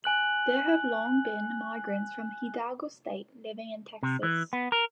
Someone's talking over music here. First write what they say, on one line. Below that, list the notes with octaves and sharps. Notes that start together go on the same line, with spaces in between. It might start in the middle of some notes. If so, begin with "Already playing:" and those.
There have long been migrants from Hidalgo state living in Texas.
G#5 F#6 F#7
C3
E3
B3
A#4